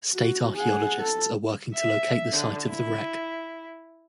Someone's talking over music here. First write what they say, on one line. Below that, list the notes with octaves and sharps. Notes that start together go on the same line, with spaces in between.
State archaeologists are working to locate the site of the wreck.
F#4
G#4 F#5
A4
E5
D3
E4